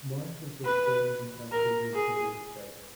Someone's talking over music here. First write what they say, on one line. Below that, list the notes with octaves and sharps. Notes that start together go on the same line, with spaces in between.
Mark is a film and television producer.
B4
A#4
G#4